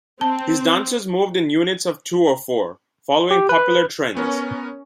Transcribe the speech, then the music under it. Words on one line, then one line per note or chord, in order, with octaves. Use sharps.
His dancers moved in units of two or four, following popular trends.
C4 A5
G4
B4
B3 C#4 A#4